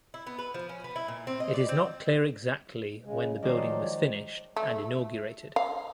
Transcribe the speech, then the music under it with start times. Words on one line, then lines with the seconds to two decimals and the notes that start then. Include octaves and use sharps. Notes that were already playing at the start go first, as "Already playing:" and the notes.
It is not clear exactly when the building was finished and inaugurated.
0.14 E4
0.27 B3
0.38 B4
0.54 F3
0.69 C#4
0.84 B3
0.96 E4
1.08 A#2
1.27 C4
1.40 D#5
1.53 D5
1.69 C4
3.05 C#3 G#3
3.43 D#3 F3 F#3 G#3 C5 D5
4.56 A3
5.56 F5